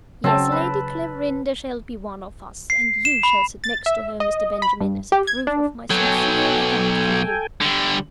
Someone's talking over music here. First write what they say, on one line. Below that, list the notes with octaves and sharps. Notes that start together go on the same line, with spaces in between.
Yes, Lady Clarinda shall be one of us; and you shall sit next to her, Mr. Benjamin, as a proof of my sincere regard for you.
C#3 F#3 C4 C#4 A5
B4
C7
E7
B5
A6
E5
D#5
B5
G2
G4
G#6
D4
B1 F#3 A4 G5 G#5
D3 G3